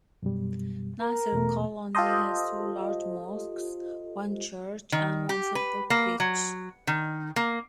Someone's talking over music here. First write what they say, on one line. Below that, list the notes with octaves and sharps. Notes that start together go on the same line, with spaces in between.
Nasir Colony has two large mosques, one church, and one football pitch.
F#2 B2 G3
A#4
E2 B2 A3
F4 G4 A4 C5 D#5
D#3
G4
B4
A#3
F#3
D#3
A#3